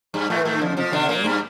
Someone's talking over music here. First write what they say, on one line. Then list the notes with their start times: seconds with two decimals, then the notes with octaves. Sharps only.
earlier in the day?
0.14 G2 G3
0.30 A2 A3
0.45 A2 A3
0.61 F2 F3
0.77 F2 F3
0.93 D3 D4
1.08 A#2 A#3
1.24 G2 G3